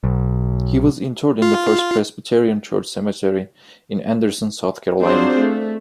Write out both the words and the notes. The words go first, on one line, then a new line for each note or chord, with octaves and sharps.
He was interred in the First Presbyterian Church Cemetery in Anderson, South Carolina.
B1
F4
F#3 C4 D4 F4 G#4 C5
A3